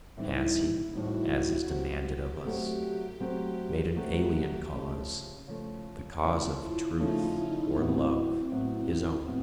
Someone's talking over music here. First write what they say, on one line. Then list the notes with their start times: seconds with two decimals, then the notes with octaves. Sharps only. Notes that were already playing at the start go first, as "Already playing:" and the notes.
Has he, as is demanded of us, made an alien cause, the cause of truth or love, his own?
0.17 A2 E3 G3 C4 D#4 E4
0.93 A2 E3 G3 C4 D#4 F#4
1.69 F#3 A3 C4 G4
2.44 F#3 A3 C4
3.20 F#3 A3 C4
3.96 F#3 A3 C4
4.72 C#3 F3 A3
5.47 C#3 F3 A3
6.23 C#3 F3 A3 E4
6.62 F4
6.99 C#3 F3 A3 D#4
7.75 A2 F#3 B3 C4
8.51 A2 F#3 B3
9.27 A2 F#3 B3